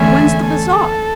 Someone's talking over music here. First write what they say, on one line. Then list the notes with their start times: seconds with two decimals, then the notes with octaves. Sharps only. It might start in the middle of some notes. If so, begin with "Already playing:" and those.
'When's the bazaar?'
Already playing: E2 D3 A3 C#4 E5 G#5
0.43 A4